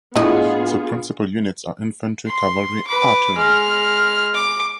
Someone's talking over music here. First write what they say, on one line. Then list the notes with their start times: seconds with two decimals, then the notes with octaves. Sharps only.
The principal units are infantry, cavalry, artillery.
0.16 A2 B3 D4 E4 F4 G#4 D#5
2.26 C6
2.87 B4 D6
3.35 G#3 F6
4.35 D6